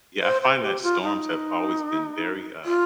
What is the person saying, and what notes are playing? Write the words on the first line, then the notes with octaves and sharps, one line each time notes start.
Yeah, I find that storms have always been very, uh,
C5
C5
G4
F4
D#4
F4